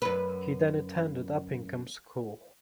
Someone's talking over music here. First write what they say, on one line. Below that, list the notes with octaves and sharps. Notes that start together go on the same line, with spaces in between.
He then attended Uppingham School.
F#2 B4